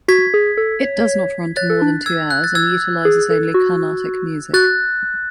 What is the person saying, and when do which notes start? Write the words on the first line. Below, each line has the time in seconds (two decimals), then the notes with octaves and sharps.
It does not run to more than two hours and utilises only Carnatic music.
0.08 F#4 G#6 B6
0.34 G#4
0.57 A4
0.83 C#5
1.57 C#5 F#6 A6
1.70 A4
1.82 D4
2.06 E6 G#6
2.30 F#6
2.44 A6
2.55 E6 G#6
3.05 G#4
3.30 A4
3.54 F#4
4.53 F#4 F#6 A6